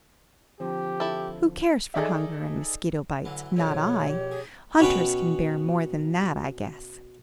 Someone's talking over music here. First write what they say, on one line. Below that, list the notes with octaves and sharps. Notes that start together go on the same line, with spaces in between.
Who cares for hunger and mosquito bites? Not I. Hunters can bear more than that, I guess.
D3 F3 C4 G4
E4 A4
D#4 G#4 A4 D5 E5
D3 E3 F#3
A#1 F2 B2 A4 C#5
G4
G#4
B2 C#4 B4 G5